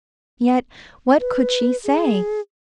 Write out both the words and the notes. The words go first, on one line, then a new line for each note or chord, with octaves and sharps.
Yet what could she say!
B4
G#4